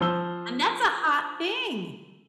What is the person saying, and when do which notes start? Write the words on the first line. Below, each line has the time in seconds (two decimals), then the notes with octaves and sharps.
and that's a hot thing!
0.01 F3 C5 E6 G7